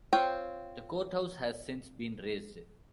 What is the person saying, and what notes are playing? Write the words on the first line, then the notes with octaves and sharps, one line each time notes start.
The courthouse has since been razed.
C4 F4 C#5 G5